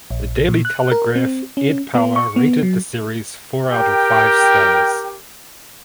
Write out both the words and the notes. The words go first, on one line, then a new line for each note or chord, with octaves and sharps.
The Daily Telegraph Ed Power rated the series four out of five stars.
A#1
A#2
F#6
A#4
C4
C#4
B3
C#6
B3
F#3
G4 A#4 G5